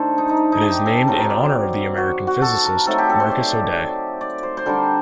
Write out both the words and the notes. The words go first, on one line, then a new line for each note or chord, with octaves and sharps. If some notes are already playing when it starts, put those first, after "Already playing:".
It is named in honour of the American physicist Marcus O'Day.
Already playing: D#3 A3 D4 A4 C5
D#4
D#4
D#4
G4
A4
D#3 F#3 C4 A#4
D5
F#4
F#4
A4
A#4
F#3 A3 C4 D#4 A4
G4
A4
C5
D5
D5
C5
C5
D3 G3 D4 A#4